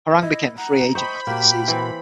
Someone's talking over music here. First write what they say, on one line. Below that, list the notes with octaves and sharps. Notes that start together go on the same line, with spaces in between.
Harang became a free agent after the season.
E4 D#5
F#5 A#5
C5 D#5 G5 B5 C#6
A#2 A#3 F#4 G4 G5
E3 C4